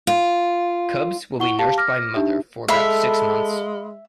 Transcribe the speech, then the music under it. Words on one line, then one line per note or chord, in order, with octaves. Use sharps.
Cubs will be nursed by mother for about six months.
F4
E4 F#5 C#6 G7
G4 F5 A5
D6 F6 A#6
D4 D#4 G4 E5
G#3 A4 E5 F5 B5